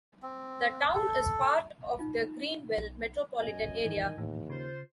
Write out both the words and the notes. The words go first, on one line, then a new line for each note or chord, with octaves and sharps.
The town is part of the Greenville Metropolitan Area.
C4
A4
D#4 F4
B1
F#2 D#5 G#5
G#2 D#3 E3
D#2 A2
C#3 F4 C5